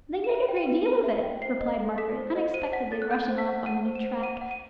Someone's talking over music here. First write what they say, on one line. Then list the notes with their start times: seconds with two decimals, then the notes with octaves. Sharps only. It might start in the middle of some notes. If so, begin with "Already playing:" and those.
"They make a great deal of it," replied Margaret, unexpectedly rushing off on a new track.
0.24 E7
0.29 E5 D#7
0.48 G5
0.57 D#7
0.66 B4
0.86 B4 D#7
1.04 E5
1.23 G5
1.42 C5 C7
1.61 D#5
1.80 A4
1.98 A4 B6
2.17 C5
2.35 D#5
2.54 C5 D#7
2.73 F#5 B6
2.92 A4 A6
3.02 F#6
3.10 A4 G6
3.29 C5
3.38 B6
3.48 F#5
3.66 F#5 D#7
3.85 C5
3.95 E7
4.04 C5
4.23 F#5 D#7
4.41 F#5
4.51 D#7